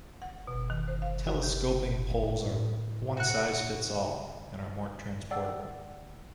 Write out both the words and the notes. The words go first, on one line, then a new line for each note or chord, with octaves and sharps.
Telescoping poles are 'one-size fits all', and are more transportable.
F#5
B2
D#3
C5
F5
F#4
G4
A2
F#4 F#5
G#4 D5 F#5 G5 E6